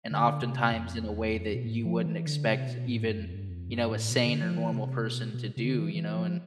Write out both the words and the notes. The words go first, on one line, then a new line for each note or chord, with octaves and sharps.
and oftentimes in a way that you wouldn't expect even, you know, a sane or normal person to do, you know, and
D3
C3
F2
E2
F2
B2
A2
F3
E3
D3
C3
B2
A2
G2
F2
G2
F2
G2
A2
B2
D3
F3
E3
C3
B2
B2
C3
D3
E3
E3
F3